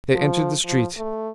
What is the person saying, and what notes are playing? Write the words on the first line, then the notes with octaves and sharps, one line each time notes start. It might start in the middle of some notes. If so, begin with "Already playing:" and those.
They entered the street.
F3
F3
A3